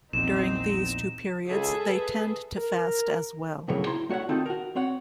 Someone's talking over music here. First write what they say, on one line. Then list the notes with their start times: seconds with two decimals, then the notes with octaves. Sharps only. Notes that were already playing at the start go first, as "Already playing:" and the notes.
During these two periods, they tend to fast as well.
0.13 A#1 E2 C4 D#4 E7
1.49 C#2 G#4 A4 E5
1.88 B4
2.58 A#4
3.68 F2 A2 C#3 F#3 A#3
3.87 E4 A#5 C6
4.09 A3 F#4 C#5 E5 F#5
4.29 D#3 C4 D#4 F4 A4
4.46 F#4 A#4
4.76 C4 C#5 F#5